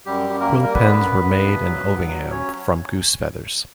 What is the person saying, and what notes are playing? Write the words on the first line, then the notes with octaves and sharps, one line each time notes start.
Quill pens were made in Ovingham from goose feathers.
F#2 G3 G4
F#2
A#3 A#4
G3
A#4
D3 B3 B4
F#2
F#2
G2
F#3
G2
F#3
C#4 C#5